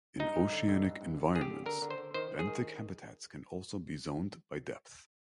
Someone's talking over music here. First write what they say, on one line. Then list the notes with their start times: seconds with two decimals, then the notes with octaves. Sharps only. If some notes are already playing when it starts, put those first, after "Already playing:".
In oceanic environments, benthic habitats can also be zoned by depth.
0.19 G2 D#4
0.36 G2
0.52 D3
0.68 D3
0.85 G2
1.01 G2
1.17 D3
1.34 D3 G#4
1.41 G4
1.50 D3
1.66 D3 A#4
1.82 D3
1.90 C5
1.98 D3
2.14 D#3 C5
2.31 D#3
2.39 G#4
2.47 D#3